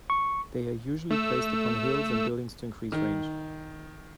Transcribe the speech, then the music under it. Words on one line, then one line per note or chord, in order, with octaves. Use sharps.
They are usually placed upon hills and buildings to increase range.
C#6
A3 E6
D#3